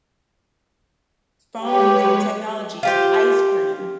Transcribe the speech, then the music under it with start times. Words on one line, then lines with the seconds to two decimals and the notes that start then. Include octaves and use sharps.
phones and technology to ice cream.
1.62 G#3 G4 B4 C#5
2.83 F4 G4 C5